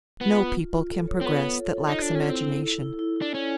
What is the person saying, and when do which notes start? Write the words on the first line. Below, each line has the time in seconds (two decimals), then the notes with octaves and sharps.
No people can progress that lacks imagination.
0.20 B3 F4
0.39 F4
0.56 F4
0.73 F4
0.91 A4
1.08 C#5
1.21 C4
1.25 B3 F4
1.42 C#5
1.60 A4
1.77 A4
1.88 D#4
1.94 F4
2.02 D4
2.13 C#4 A4
2.29 C4 E4
2.46 E4
2.64 E4
2.82 E4
2.99 E4
3.16 E4
3.22 D4
3.33 C#4 D5